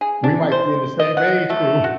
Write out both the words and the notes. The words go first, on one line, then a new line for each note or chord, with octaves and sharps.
We might be in the same age group.
G#4
D4
C5
D#5
F#5
A3
F#4